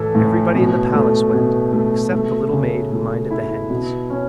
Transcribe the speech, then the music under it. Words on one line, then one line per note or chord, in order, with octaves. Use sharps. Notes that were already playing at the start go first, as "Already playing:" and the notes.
Everybody in the palace went except the little maid who minded the hens.
Already playing: A2 E3 A4
A2
B2
A3
B2
A3
A3
C#3
A3
E4
B2
C#4